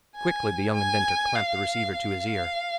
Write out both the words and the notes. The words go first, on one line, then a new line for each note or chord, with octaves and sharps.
Quickly the young inventor clamped the receiver to his ear.
G#5
G#5
F5
F5